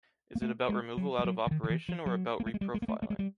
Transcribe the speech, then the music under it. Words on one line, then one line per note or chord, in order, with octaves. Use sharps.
Is it about removal out of operation or about reprofiling?
A#3
A3
G#3
F#3
G3
F#3
E3
D#3
D#3
E3
F3
F#3
A#3
A3
G#3
G3
G#3
A#3
A3
A3
G#3
G3